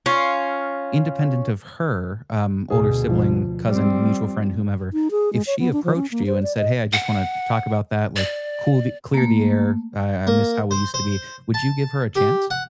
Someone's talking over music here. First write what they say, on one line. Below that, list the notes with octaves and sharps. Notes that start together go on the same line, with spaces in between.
independent of her, um, older sibling, cousin, mutual friend, whomever, if she approached you and said, "Hey, I just wanna talk about that, like, cool the clear the air, uh, I I miss how we used to be." Would you give her a chance?
C#4 F4
D2 B2 G#4
F3
G3 C4
D#4
G#4
G#3
C#5
B3
D4
F3
C#4
A#3
C5
D5
D#5
F#5
D5
A3 A#3
A#3
C5
C5
A5
G4
F#5